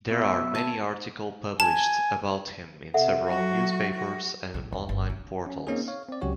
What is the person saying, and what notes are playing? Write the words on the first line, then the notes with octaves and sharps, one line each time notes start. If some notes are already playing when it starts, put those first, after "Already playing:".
There are many article published about him in several newspapers and online portals.
B2 E5
G#5 A5
G#5 A5
C3 A4 E5 F#5
F#3 F#4
F#4
A2 C#3
E2
G1
D4
C#4
A#3 C4 C#4 D#4 G#4
C#5 F5
C4 D5
C#2 F#3 C#4 F#4 G4 C#5